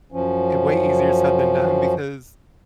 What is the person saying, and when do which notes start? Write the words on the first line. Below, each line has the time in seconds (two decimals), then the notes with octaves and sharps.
way easier said than done because,
0.12 F#2 F3 C#4